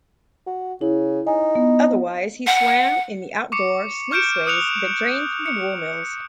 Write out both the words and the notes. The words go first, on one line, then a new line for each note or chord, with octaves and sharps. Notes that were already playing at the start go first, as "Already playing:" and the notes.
Otherwise, he swam in the outdoor sluiceways that drained from the wool mills.
F#4
C#3 E4
D#4 G#5
B3
F#5
C#6 D6 C#7
C#6 F6 G6 C#7 D7 E7
D#6 F#6 C#7 F7
C#7